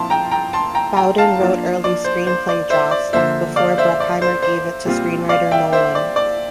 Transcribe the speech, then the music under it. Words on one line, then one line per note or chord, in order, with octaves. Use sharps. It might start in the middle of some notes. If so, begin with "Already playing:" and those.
Bowden wrote early screenplay drafts, before Bruckheimer gave it to screenwriter Nolan.
Already playing: A#2 F3 C4 E4 F5 A5 C6
G5 A#5
G5 A#5
A5 C6
G5 A#5
G5 A#5
F5 A5
F3 A#3 D4 F4
D5
C5
C5
D5
C5 E5
D5
D3 F3 A#3 C5 E5
D5 F5
C5 E5
D5
C5
C5
A#2 G3 C4 F4
D5 F5
E5 G5
C5 E5
D5
D5